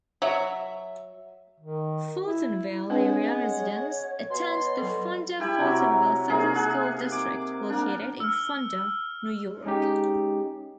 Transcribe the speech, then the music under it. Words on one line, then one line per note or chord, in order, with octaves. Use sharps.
Fultonville area residents attend the Fonda-Fultonville Central School District, located in Fonda, New York.
F#3 E5
D#3
E4
G#3 C4 D4 B4 C#5 F#5
F#5
B2 C6
F#3 A4
E4 G4 G#5 B5
C3 F#3
C3 A#3 D#4 G#4
G#4 F#5
D6
A#3 D4
E6 F6
G#3 C#4 D#4 G4